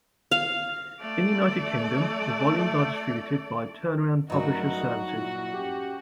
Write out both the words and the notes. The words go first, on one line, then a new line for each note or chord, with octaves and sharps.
In the United Kingdom, the volumes are distributed by Turnaround Publisher Services.
F5
A3 D5
G2 F#3 A3 D#4 F#4 A#4
A#2 E4
C#4 G4